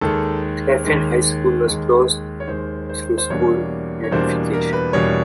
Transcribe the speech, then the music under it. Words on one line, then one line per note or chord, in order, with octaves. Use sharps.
Claflin High School was closed through school unification.
D#2 D#3 G#3 A4
D#2 D#3 G#3
D#2 D#3 G#3
C#5
D#2 D#3 G#3 C5
C5
C5
E2 B2 G3 A#3 D4 C#5
C#5
E2 B2 G3 A#3 D4 C5
A#4
B4
E2 B2 G3 A#3 D4 C#5